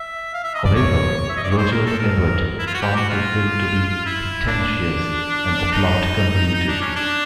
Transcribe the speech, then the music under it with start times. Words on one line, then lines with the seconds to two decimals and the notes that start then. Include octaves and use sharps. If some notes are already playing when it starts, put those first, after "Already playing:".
However, Roger Ebert found the film to be pretentious and the plot convoluted.
Already playing: E5
0.34 F5
0.44 E5
0.54 D#5
0.65 D5
0.75 C#5
1.30 E5
1.37 D#5
1.44 D5
1.51 C#5
1.58 C5
1.72 A#4
1.86 A4
1.99 A#4
2.59 E4
2.67 F4
2.74 F#4
2.82 G4
2.96 F#4
3.10 F4
4.06 E4
4.48 D4
5.72 D#4
6.54 D#4
6.68 D4
6.82 C#4
6.96 D4